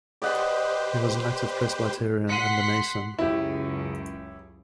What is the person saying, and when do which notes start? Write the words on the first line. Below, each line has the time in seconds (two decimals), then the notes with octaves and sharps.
He was an active Presbyterian and a Mason.
0.22 G4 B4 C5 D5 D#5 F#5
2.29 F#5 C6 B6 C#7 D#7
3.19 C#2 F#2 C#3 E4 G4